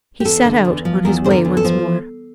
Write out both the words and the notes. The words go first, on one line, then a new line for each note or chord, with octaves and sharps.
He set out on his way once more.
G4
E2 A4
D3
E2
F3
E2 A#4
D3 C5
A#4
E2
A4
F3